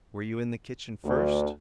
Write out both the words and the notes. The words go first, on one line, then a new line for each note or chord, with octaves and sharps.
"Were you in the kitchen first."
D2